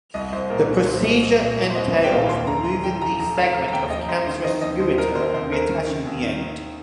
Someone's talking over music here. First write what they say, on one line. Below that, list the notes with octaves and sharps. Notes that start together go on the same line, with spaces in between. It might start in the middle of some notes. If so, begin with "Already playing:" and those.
The procedure entails removing the segment of cancerous ureter and reattaching the end.
C2 D#5
C2 C5
A#2 A#4
C2
A#2 C5
C2 D#5
A#2
A#2
C2
C5
C2 D#5
A#2 D#5
G5
A#2 F5
D#2 C6
F1 A#5
F1 A#5
F1 G5
F1 A#5
F1 A#5
F1 F5
F1 F5
A#5
D#2 G5
F1 D#5
D#2 C5
D#3 C5
D#3 D#5
D#2 D#5
D#2 C5
D#3 A#4
D#2 C5
D#2 C5
D#2 A#4
D#3
D#3
D#2
D#3
D#3